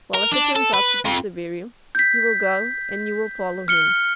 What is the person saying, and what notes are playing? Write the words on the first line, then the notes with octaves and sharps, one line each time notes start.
Well, if it turns out to be Siberia, he will go and you will follow him.
A#4
D4
A4
B4
F2
G6 B6
F6 C#7 G7